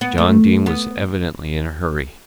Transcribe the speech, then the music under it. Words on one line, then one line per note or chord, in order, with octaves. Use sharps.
John Dene was evidently in a hurry.
B3
A3
B3